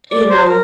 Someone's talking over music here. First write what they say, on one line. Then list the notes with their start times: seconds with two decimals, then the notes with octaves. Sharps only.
you know?
0.11 D5
0.30 C5
0.49 A#4